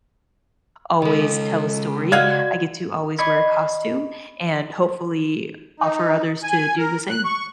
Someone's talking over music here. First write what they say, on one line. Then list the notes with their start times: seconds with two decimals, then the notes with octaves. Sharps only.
always tell a story, I get to always wear a costume and hopefully, offer others to do the same.
1.02 C#3 G#3 A4 D#5
2.12 F#4 D5 D#5 F5 F#5 G#6
3.18 D5 D#5 B5 C#6 G#6 C7
5.80 D#4
6.43 G#5
6.78 A#4
7.10 F#6
7.25 C#6